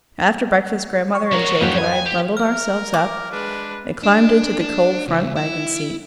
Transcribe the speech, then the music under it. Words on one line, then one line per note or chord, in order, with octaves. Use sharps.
After breakfast grandmother and Jake and I bundled ourselves up and climbed into the cold front wagon-seat.
C#6
F3 F#4 A#4 C#5
F2 F#3 C#4 G4
B4 D#5 G#5
G5
G4
A#4 F6
D6
G#3 D4 B4
D4
D4
C#2
E4